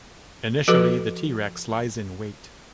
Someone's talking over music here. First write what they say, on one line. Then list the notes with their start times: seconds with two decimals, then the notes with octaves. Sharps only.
Initially the "T. rex" lies in wait.
0.68 F3 F#4 A4 B4 D6